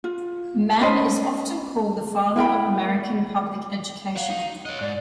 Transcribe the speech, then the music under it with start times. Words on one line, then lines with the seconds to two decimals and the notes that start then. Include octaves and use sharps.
Mann is often called the father of American public education.
0.04 F4
0.80 C#4 B4 C5 D#5
2.36 E4 A#4 G5 B5
4.16 C#5 F5 F#5
4.30 D#4
4.66 C#5 D#5 F#6
4.81 G#2 D5